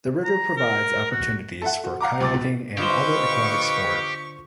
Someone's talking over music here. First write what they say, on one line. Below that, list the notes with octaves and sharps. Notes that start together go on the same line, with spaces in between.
The river provides opportunities for kayaking and other aquatic sport.
A#5
A#4
F#4
A4 E5 F#5
F#4
F5 F#5 A#5 D6
C#2 D6 A6
B2
D3 F4 G4 B4 C5 D#5 F5 C#6